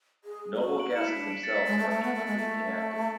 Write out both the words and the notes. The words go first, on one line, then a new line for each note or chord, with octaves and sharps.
Noble gases themselves are chemically inactive.
G#4
G#4
F#4 F#7
D7 F#7
F#4
E4 C#7 E7
B6 D7
D4
C#7 E7
B6 D7
A6 C#7
B6
G#3 A6
A3
A3
B3
A3
G#3
A3